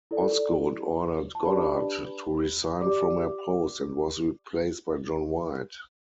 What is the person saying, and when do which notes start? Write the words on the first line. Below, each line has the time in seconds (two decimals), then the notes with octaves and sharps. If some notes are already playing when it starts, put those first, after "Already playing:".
Osgood ordered Goddard to resign from her post and was replaced by John White.
0.11 E4 A4 D5
1.35 A5
1.45 D4 G4 B4 D5 B5
2.81 G4 D5 D6